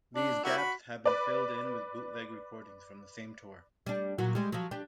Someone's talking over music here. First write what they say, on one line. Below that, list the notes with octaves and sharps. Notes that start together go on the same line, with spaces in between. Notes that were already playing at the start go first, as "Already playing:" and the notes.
These gaps have been filled in with bootleg recordings from the same tour.
D4
G3 A#3 E4 F#4
B5
B4 D5
G3 D4
A#2 F#3 F#4
G3 G#3
F3 F#3
D4 G4